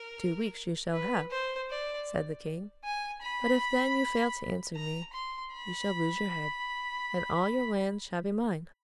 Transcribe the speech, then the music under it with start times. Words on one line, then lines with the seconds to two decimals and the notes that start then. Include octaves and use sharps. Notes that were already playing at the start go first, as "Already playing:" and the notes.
"Two weeks you shall have," said the king; "but if then you fail to answer me, you shall lose your head, and all your lands shall be mine."
Already playing: A#4
0.92 B4
1.31 C5
1.70 D5
2.84 G#5
3.22 B5
4.76 A#5
5.13 C6
5.52 B5